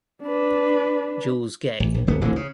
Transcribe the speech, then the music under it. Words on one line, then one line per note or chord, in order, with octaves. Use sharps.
Jules Gay.
D4 B4
A1
A#1
D1 G1 B3
D1 A1 A2 D3
C#3